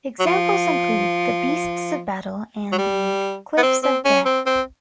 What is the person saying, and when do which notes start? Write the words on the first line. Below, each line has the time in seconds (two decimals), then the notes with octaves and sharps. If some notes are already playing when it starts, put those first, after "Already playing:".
Examples include the "Beasts of Battle" and the "Cliffs of Death".
0.19 F#3
0.26 F3
2.72 F#3
2.78 G3
3.58 B3
3.63 C4
3.83 C4
4.05 C#4
4.26 C4
4.47 C4